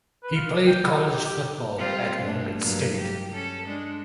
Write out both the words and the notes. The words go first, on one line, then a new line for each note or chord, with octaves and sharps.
He played college football at Morgan State.
B4
F4
D5
G5
E4
D#4
G4
G4
G3 C4 F4
G2 A3 D4
G2 F#3 A#3
G4
C#4 A4
G#3 D4